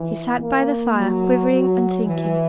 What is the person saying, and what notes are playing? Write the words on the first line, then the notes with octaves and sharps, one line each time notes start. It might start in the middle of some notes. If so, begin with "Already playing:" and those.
He sat by the fire quivering and thinking.
Already playing: E3
A#3
F#3
F#3
E3